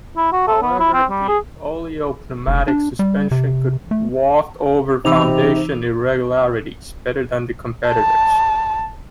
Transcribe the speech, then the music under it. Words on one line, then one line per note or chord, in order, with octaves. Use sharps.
However, the oleo-pneumatic suspension could "waft over foundation irregularities" better than the competitors.
E4
F#4
A4
B3
E4
C4
G3
G#4
F1
D4
G3
C3
A3
C3 E3 D#4 D6 F7
A5